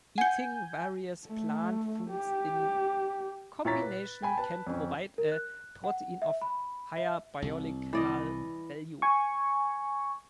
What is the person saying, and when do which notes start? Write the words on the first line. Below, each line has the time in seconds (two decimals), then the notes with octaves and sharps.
Eating various plant foods in combination can provide a protein of higher biological value.
0.18 F#5 G#5 G6 C#7
1.28 A3
2.10 G4
3.65 A#2 E4 C#5 A#5 A6 B6
3.82 B4
4.22 G5 G#5 B5
4.38 B4 A5
4.67 F2 C#4
5.18 A#4
5.32 F#6
5.84 F#5
6.22 E5
6.41 B5
6.98 E5
7.42 C2
7.93 E3 D5 D#5
9.02 G#5 C#6